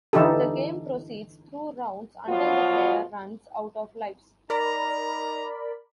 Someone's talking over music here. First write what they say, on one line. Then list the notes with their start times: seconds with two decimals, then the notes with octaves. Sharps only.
The game proceeds through rounds until the player runs out of lives.
0.13 D3 E3 D#4 E4 G4 A4
2.28 B2 F3 F#3 B3 F4
4.50 D#4 A#4 D5 A#5 B5